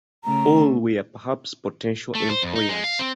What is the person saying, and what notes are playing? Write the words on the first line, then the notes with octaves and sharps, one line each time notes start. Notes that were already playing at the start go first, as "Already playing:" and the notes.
All were perhaps potential employers.
C#3 A3 A#5
A3
C5
F2
D#4
G#3
F5
C4